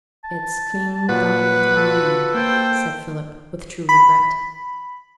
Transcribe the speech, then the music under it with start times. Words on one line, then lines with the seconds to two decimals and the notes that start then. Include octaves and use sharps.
It's clean gone out of my mind,' said Philip, with true regret.
0.24 A5
1.09 A#2 F#3 B4 F#5
1.76 F4 F#4 A4
2.34 A#3 C5 G5 G#6
3.89 B5